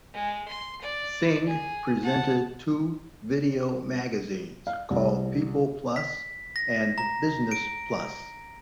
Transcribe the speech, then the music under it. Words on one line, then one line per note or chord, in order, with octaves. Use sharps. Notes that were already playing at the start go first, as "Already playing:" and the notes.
Singh presented two video magazines called "People Plus" and "Business Plus".
G#3
C6
D5
G#4
F#5 A5
F5
C2
B6
A#6
A#5
D7